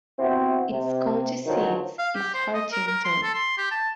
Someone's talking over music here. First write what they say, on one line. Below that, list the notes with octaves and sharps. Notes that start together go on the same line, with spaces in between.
Its county seat is Hartington.
C3 B3 C4 E4 F#4 G4
C3
G2 D3 D#3 F3 F#3
F5
G4
C5
D#5
A#4
A#4
C6
A4
C6
G4
A5